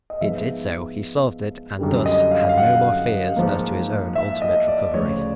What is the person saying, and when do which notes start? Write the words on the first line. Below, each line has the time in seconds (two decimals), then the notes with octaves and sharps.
It did so, he solved it and thus had no more fears as to his own ultimate recovery.
0.10 D#5
0.21 G#2 F3 G#3 B3 E5
1.79 F#2 D3 G3
2.06 D#5
2.31 F5
2.49 F5
2.58 F#5
3.36 G#2 F3 A#3
4.15 E5
4.42 D#5
4.68 D5
4.94 D2 C#3 F3 C#5
5.20 D5